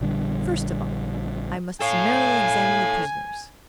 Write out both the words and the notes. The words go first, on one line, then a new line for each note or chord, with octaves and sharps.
First of all, I must summarily examine the prisoners.
A#1 D3 G3
A4 C#5 F5 G#5